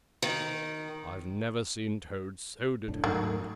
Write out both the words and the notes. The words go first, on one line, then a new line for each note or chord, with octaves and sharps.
'I've never seen Toad so determined.
D#3
F1 A2 D4
G#2 D#3 F#3 A3